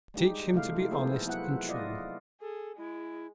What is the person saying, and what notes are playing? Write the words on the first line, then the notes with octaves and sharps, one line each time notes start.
Teach him to be honest and true.
G3 G#3 D#4 G4
C3 A3 E4 F4 F5
F3 G#3 D#4 E4
A#3 B3 G#4 A4 C5
F#3 B3 E4 F4 E5 F#5
F4 D5 D#5
G#4 A4
G#3 E4